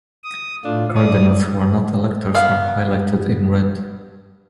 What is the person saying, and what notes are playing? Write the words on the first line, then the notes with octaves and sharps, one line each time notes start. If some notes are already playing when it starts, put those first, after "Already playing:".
Cardinals who are not electors are highlighted in red.
D#6
A2 A3 D4 F4
D5 D#6
B3 F5